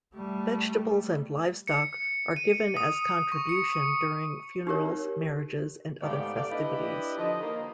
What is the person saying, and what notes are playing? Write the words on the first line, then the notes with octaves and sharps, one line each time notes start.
Vegetables and livestock are given as contribution during funerals, marriages and other festivities.
G3 A3
C#7
D#7
D#6
C#6
C#7
D#4 G4 A#4 C#5
G#2 A3 B3 G4 D5 F5
A3 D5 F5
D4 E4 G4 B4 D#5
D3 F3 D#4 D#5
D#3 A#3